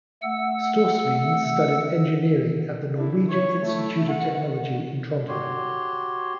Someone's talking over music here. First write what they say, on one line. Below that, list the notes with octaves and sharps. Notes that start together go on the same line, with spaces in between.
Storsveen studied engineering at the Norwegian Institute of Technology in Trondheim.
A3 F#5 E6
D4 E4
C#5
A3 E4
F#5
F#4 G4 C#5 C6